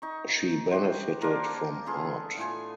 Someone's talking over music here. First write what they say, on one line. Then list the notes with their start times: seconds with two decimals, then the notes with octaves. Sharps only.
She benefited from Art.
0.02 D#4 C#6
0.71 F#4 G4 C5
1.21 A#3 D4 F4 A#4
1.86 B3 F4 G#4 A4
2.37 A2 F4 G#5